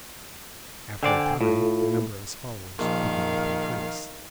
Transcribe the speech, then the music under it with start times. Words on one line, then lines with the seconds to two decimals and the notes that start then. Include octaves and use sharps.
After a time the number of his followers began to increase.
1.03 D3 C5 D5 G5 G#5
1.41 A2 F4 A4
2.79 A#1 D#3 F5